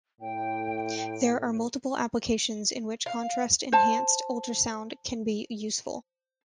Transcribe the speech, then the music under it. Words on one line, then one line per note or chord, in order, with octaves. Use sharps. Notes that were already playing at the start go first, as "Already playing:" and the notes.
There are multiple applications in which contrast-enhanced ultrasound can be useful.
A2 G5
F5
C5 A5